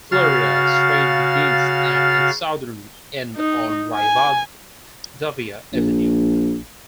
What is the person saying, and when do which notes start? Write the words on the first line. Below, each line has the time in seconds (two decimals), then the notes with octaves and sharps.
Florida Street begins at its southern end on Rivadavia Avenue.
0.12 C#3 F#4 F5 F6 A6
3.36 D#4
3.95 G#5
5.73 A#1